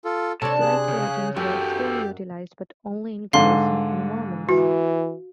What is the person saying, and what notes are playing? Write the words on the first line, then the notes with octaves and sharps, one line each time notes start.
Flight Surgeons were still utilized but only in Garrison environments.
F4 A4
C3 D4 A4 C#5 A5
G#4 F#6
C#3
F#2 F#4 G4 A4 G5
G#2 D3 F5 C6
E3 F#4